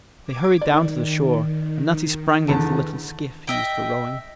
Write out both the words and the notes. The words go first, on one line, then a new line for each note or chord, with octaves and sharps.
They hurried down to the shore and Natty sprang into the little skiff he used for rowing.
D6 G#6
D#3 D5
E2 D3 A5
D#5 E5 G5